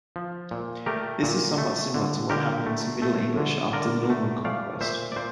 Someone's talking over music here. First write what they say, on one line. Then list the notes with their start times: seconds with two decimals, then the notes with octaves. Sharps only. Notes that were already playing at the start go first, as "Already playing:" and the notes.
This is somewhat similar to what happened to Middle English after the Norman conquest.
0.16 F3
0.51 A#2
0.86 A3 G4 A#4
1.23 A#2
1.58 A3
1.94 D3
2.30 D3 G4 A#4
2.66 A3
3.02 A3
3.38 D3
3.73 D3 A#4 D5
4.10 A3
4.45 A3 D5 F5
4.81 A#2 C5 E5
5.12 D5
5.16 A#2 C5